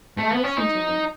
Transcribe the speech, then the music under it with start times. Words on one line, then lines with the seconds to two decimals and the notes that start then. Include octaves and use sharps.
Why listen to me?
0.18 A3
0.32 B3
0.44 C#4
0.57 D#4